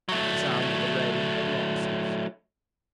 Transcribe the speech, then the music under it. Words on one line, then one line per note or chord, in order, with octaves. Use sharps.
The sound of the rain had long ceased.
F#3 A3